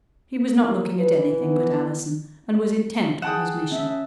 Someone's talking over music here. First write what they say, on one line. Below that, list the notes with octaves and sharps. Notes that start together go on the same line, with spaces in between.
He was not looking at anything but Allison, and was intent on his mission.
A#3
E3 B4
B3
G#4 F#5 G5 A5 D#6 E7
C#4 E5